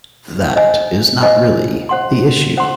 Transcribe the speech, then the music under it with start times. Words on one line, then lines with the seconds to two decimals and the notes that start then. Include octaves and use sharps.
That is not really the issue.
0.56 C5 D#5 G#5
1.23 C5 D#5 G#5
1.89 C5 F#5 C6
2.57 C5 F#5 C6